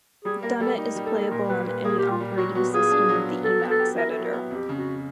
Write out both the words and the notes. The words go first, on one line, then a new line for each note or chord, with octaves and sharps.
Dunnet is playable on any operating system with the Emacs editor.
G3 G#4
A#3 A#4
G3 A4
D#4
G3
A4
A#3
A4
A#2 A#4
G3 B4
A#2 B4
A#3 G#4
A#2 G4
F4
G3
F#3 F#4
B3 F#4
F4 G#4
D4
F#3
B3
F#3 A4
B3
A4
G4
E4 A#4
A4
F#3
A#4
B3
F2 G4
C#3
F#4